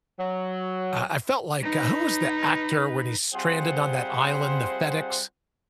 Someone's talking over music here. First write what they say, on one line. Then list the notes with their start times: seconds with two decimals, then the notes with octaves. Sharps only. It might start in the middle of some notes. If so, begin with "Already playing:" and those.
uh, I felt like, uh, who was the actor when he's stranded on that island, the FedEx,
0.20 F#3
1.63 D#4 B4
3.33 G3 C4 F4 G#4 C5 F#5